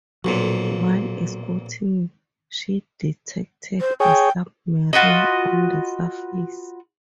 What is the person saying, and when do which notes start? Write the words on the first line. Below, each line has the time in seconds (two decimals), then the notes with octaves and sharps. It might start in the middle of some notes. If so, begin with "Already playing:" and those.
While escorting she detected a submarine on the surface.
0.25 B1 F2 A#2 F#3
3.81 C5
4.00 G#4 C#5 G5
4.93 F4 F#4 B4 D#5